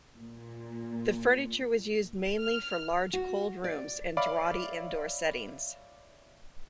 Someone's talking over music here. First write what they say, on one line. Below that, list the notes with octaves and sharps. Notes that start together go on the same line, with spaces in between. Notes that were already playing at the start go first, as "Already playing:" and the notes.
The furniture was used mainly for large cold rooms and draughty indoor settings.
A#2
F6
F#4
D5
C#5 D5 E5 F5 B5 D6